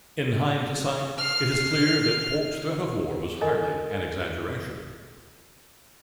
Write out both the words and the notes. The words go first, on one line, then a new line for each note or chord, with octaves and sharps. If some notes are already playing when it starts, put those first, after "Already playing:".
In hindsight, it is clear that Polk's threat of war was hardly an exaggeration.
F6 C7
A4 A#4 D#5 G#5